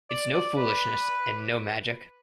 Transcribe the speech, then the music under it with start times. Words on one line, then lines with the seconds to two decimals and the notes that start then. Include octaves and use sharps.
It's no foolishness, and no magic.
0.10 D5
0.34 D5
0.57 B4